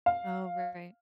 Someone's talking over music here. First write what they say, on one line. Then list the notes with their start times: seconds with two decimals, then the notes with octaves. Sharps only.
Oh, right.
0.06 F5